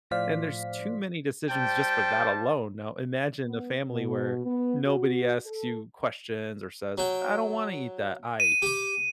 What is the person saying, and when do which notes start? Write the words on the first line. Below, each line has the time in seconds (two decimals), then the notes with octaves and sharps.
and there's too many decisions just for that alone. Now imagine a family where nobody asks you questions or says, "I don't wanna eat that. I"
0.11 A2 F3 C5 D5 F5 B6
1.49 G3 C5 G5 A5
3.45 B3
3.91 B2
4.45 B3
4.86 F#4
5.46 A4
6.98 F#3 G5
8.40 D#7
8.62 G4 D6